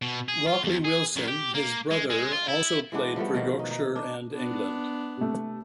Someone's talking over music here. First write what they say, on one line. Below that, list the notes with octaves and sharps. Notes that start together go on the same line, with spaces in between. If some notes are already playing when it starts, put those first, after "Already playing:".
Rockley Wilson, his brother, also played for Yorkshire and England.
B2
G#4
F4
E2
G#4
F#2
G4
A#3
G#3
G#3
F4
E4
E3 G#3 B3 D4
F3 G3 A3 B3
B2 D#3 F3
D#4
D#4
D4 D#4
B3 D4
C3 A3